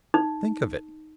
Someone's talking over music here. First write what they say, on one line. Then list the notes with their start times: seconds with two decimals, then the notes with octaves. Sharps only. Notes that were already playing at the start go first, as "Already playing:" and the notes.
Think of it!
0.14 D#4